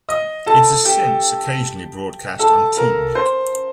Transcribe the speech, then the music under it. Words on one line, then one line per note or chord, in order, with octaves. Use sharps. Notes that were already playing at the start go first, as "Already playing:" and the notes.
It has since occasionally broadcast on TeenNick.
D#5 D#6
A4 A5
G4 G5
A4 A5
A#4 A#5
C5 C6